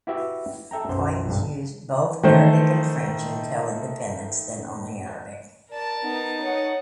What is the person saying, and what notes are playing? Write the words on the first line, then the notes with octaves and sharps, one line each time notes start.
Coins used both Arabic and French until independence, then only Arabic.
E4 F#4 G4 B4 E5
A4 E5 G5 A#5
B1 F#2 C5
B1 G2
D#3 A3 C5
A#4 D5 A5
B3 D#4
C#5 F#5